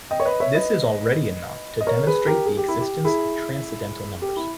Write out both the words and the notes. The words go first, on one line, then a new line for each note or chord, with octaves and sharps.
This is already enough to demonstrate the existence of transcendental numbers.
D#5 G5
C#5
B4 D#5
C#5 E5
B4 D#5
D#5
A#4 C#5
G#4 B4
G4 A#4
G#4
G4
E4
G4
E4 G#4
G4
E4